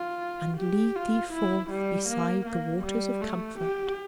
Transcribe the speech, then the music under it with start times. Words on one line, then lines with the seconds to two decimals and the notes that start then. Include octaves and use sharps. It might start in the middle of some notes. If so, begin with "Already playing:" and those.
And lead thee forth beside the waters of comfort.'
Already playing: F4
0.58 G4
0.95 F4
1.33 E4
1.71 G3
2.09 A#3
2.46 A#3
2.84 G3
3.21 A3
3.59 G4